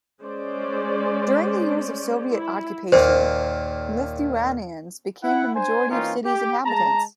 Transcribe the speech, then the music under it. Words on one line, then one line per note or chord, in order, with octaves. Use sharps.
During the years of Soviet occupation, Lithuanians became the majority of city's inhabitants.
G#3 C#4 C5 D5
E4
D#2 A#2 C5
E4 F#5
D4 C5 G#5
E3 A#3 C4 C#4 D#4 F4
G4
G#3 A5 A#5